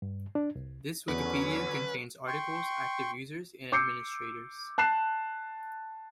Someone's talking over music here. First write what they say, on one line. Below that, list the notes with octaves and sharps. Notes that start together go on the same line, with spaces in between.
This Wikipedia contains articles, active users, and administrators.
G2
D4
C2
E2 D3 F#3 C#4 B4
G5 C6 C#6
D6 E6 G6 C7 C#7
A5 F#6 C7 E7